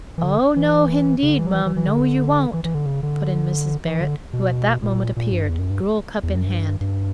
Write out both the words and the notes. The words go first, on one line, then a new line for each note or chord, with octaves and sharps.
"Oh no, h'indeed, mum,--no, you won't," put in Mrs. Barrett, who at that moment appeared, gruel-cup in hand.
E3
D3
E3
C#3
D3
E3
F#3
E3
E3
E3
D3
E3
E3
D3
C#3
D3
E3
D3
B2
A#2
A#2
G2
E2
F#2
G2
E2
F#2
G2
G2